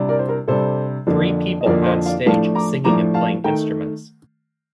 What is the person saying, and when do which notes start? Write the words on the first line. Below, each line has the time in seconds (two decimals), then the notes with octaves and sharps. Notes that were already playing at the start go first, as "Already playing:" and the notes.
Three people on stage singing and playing instruments.
Already playing: C3 G3 D4
0.09 A#4 D5
0.19 C5
0.29 A#4
0.48 C3 G3 D4 A4 C5
1.07 F2 D3 F3 A#3 D4
1.61 D#5
1.66 F2 D3 F3 A#3 D4 A#4 D5
1.86 C5 D#5
2.06 D5 F5
2.26 A2 F3 A3 D4 F5 A5
2.55 A#5 D6
2.84 A2 F3 A3 D4 A#5 D6
3.14 F5 A5
3.44 D#3 A3 G5 A#5